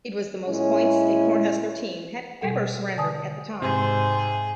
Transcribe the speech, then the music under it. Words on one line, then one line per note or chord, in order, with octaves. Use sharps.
It was the most points a Cornhusker team had ever surrendered at the time.
A#2 G#3 C#4 E4
B2 G3 A4 F#5
D3 D5 G#5 A5 D#6
G#2 C3 G#4 C5